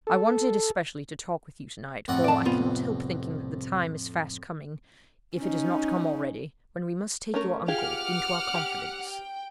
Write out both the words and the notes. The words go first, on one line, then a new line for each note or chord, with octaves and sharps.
I wanted especially to talk with you to-night, for I cannot help thinking that the time is fast coming--if it has not come already--when we must take your uncle into our confidence.
A4
F2 A2 F#5
D5 A5
C2 B3 F4
C#4 D#4
A3 C#4 A#4
F4 G4 G#4 F#5 D6 F6
G4
G5